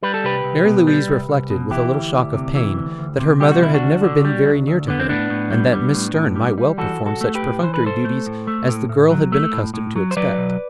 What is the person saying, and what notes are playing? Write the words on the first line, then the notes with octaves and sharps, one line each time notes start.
Mary Louise reflected, with a little shock of pain, that her mother had never been very near to her and that Miss Stearne might well perform such perfunctory duties as the girl had been accustomed to expect.
G3 B4
A4
C2 G4 B4
C2
B2
G3
C2
C2
B2
E3 E4 G4
D2
D2
C3
E3
D2
D2
C3
G3 G4
F#4
D2 E4
D4 F#4
D2
D3
G3
D2
D2
D3 B3
C4
A2 B3 D4
A2
G3
G3
A2
A2
G3
G3
E3 F#4 A4
B1
F#4 A4
A3
G4 B4
A2
E3 C5
B4
B1 A4 C5
A3
A2
A3
A2
A2
F#3
A3
A2
A2
F#3
C5
F#3 B4 D5
B1